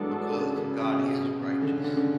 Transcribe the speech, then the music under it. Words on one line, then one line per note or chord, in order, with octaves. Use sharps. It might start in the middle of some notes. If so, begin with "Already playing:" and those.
because God is righteous.
Already playing: E3 F#3 G#3 B3 D4 A4
C#3
C#3
C#3
B2
B2
C#3
D3
C#3
D3
D3